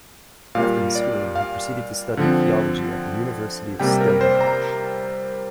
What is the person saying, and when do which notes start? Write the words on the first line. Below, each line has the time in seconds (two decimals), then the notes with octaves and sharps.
After his schooling, he proceeded to study theology at the University of Stellenbosch.
0.55 A#2 G3 A#3 F5
0.95 D5
1.36 F5
2.17 D3 F3 C4
3.80 C3 G3 A#3 G5
4.01 A#4
4.21 C5
4.41 A#5